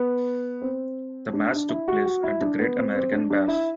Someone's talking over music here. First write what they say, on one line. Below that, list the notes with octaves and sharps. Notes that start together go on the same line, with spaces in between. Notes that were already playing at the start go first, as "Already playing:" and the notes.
The match took place at The Great American Bash.
Already playing: B3
C4
D4
D4
E4
F#4
F#4
E4
D4
B3
C4
C4
D4
D4
E4